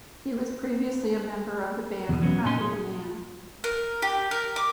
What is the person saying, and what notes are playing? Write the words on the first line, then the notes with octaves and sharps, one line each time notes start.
He was previously a member of the band Happy the Man.
E2 B2
F#3 B3 C#4
A#2 C#4 D#4 C6
G#4
A#4
G4
A#4
D6